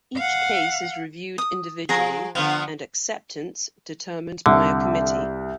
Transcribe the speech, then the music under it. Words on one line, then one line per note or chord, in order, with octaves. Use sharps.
Each case is reviewed individually and acceptance determined by a committee.
F5 F#5
D#6
F3 G#4 A#5
D3 F3 B3 F5
C2 D3